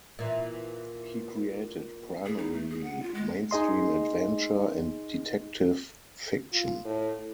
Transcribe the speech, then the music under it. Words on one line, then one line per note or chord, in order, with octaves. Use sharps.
He created primarily mainstream adventure and detective fiction.
A#2 E3
G#4
D#4
A3
G#4
F#5
F4
G#3
D#4 G#4 D#5 C6
F4
A2